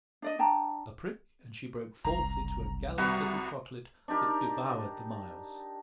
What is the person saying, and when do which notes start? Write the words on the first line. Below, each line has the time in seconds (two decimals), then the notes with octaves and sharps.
A prick, and she broke forth into a gallant little trotlet that devoured the miles.
0.22 D4 D5 D#5
0.39 D4 G5 A5 A#5
2.05 F#1 C2 A#5
2.98 C2 G3 F#4 B4
4.08 D4 D#4 G4 A#4